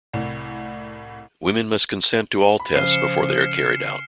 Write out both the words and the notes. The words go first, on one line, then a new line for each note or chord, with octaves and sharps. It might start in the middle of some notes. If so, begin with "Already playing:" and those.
Women must consent to all tests before they are carried out.
C2 A2
B5
C#3 F3 F6 C7 D#7
C#7 E7